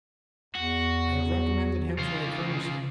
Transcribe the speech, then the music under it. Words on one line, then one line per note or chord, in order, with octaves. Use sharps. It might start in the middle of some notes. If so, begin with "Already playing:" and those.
I have recommended him for a colonelcy.
E2 F#4
C#3 F4